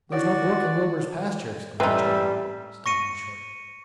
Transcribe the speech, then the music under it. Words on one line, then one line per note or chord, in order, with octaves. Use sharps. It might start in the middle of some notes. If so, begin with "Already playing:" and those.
"There's no brook in Wilbur's pasture!" exclaimed John, stopping short.
E4 F#4 C#5 D5 F#5
A1 G3 C4 D#4 B4 E5
C#6 A#6 C#7 D#7